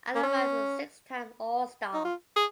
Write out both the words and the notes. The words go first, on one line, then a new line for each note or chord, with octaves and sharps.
Alomar is a six-time All-Star.
A#3
C#4
D#4
F4
G#4